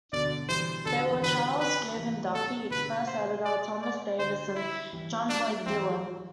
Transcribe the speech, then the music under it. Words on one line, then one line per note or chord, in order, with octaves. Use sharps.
They were Charles Gavan Duffy, its first editor; Thomas Davis, and John Blake Dillon.
B2 D3 D5
B2 D3
E3 G3 C5
D3 F#3 A4
D3 F#3
C3 E3
D3 F#3 B4
B4
C3 E3
C3 A4
B2 D3 B4
C5
D5
D5
D3 F#3 C5
E4
E3 G3
F#3 A3 D4
E3 G3 C4